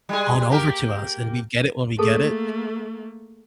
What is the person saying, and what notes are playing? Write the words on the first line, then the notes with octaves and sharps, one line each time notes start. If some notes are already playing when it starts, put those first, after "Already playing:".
on over to us, and we'd get it when we get it.
G3 G#3 G#4
A#3 G4 A#4
A3 A#3 G#4 A4 A5